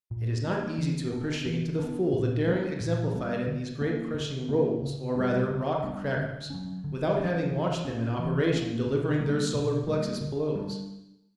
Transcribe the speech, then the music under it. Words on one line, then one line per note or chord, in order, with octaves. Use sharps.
It is not easy to appreciate to the full the daring exemplified in these great crushing rolls, or rather "rock-crackers," without having watched them in operation delivering their "solar-plexus" blows.
A#2
A#3 D4
E3
B3 D4
E3
B3 D4
A#2
G3 B3 D4
A#2
G3 B3 D4
D3
A#3 C#4
D3
A#3 C#4
C#3
G3 B3 D4
C#3
G3 B3 D4
D3
F#3 C#4
D3
F#3 C#4
E3
A#3 C#4
E3
A#3 C#4
B2
G3 A#3
B2
G3 A#3
D3
G3 B3 D4